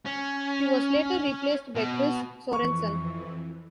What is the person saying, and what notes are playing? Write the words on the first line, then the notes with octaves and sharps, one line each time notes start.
He was later replaced by Chris Sorenson.
C#4
B2
F2 E3 C#6